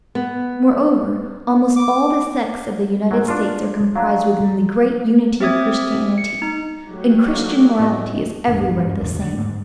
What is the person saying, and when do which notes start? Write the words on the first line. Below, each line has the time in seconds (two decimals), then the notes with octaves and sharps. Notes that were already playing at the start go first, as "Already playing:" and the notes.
Moreover, almost all the sects of the United States are comprised within the great unity of Christianity, and Christian morality is everywhere the same.
0.15 B3
1.76 D6
3.11 G#2 F#3
3.28 D4 F4
3.96 F#3 D4 B4 F5 A#5
5.40 C4 G4 E5 D#6 G#6
6.18 C#7
6.42 D#4
6.87 F#3 A3 G4
7.33 A#3
7.79 A2 D#5
8.48 G#1 E2 G#2 D3
8.77 G2 G#3 C#4
9.00 A1 E2 D#3
9.21 D3
9.37 G#2